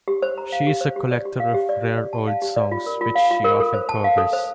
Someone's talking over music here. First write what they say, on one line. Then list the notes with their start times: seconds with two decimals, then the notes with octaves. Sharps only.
She is a collector of rare old songs which she often covers.
0.08 G4
0.22 C5
0.38 A#5
0.52 F5
0.67 G4
0.81 C5
0.96 G4
1.11 D5
1.25 G4
1.40 F5
1.54 G4
1.69 D5
1.84 G4
1.98 D5
2.13 A5
2.27 F5
2.42 G4
2.56 D5
2.71 F4
2.86 A#4
3.01 F4
3.15 F5
3.31 F4
3.44 A#4
3.60 A4
3.74 C5
3.89 A5
4.04 F5
4.18 A4
4.33 C5